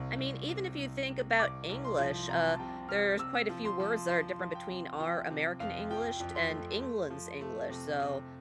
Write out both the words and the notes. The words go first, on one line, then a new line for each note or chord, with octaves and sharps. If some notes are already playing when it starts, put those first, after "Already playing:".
I mean, even if you think about English, uh, there's quite a few words that are different between our American English t and England's English. So,
Already playing: C2 C3
C2
C3
C2
C3
C2 D6
C2
C6
F3
C3 A#5
A5
C3 G5
C3 F6
C3 E6
F3
C6
F3
F3 C6
F3
G5
C3
F3 G5
C3
F2 F5
F3 G5
F2
C6
A3
A3
F3
A3
C3
C3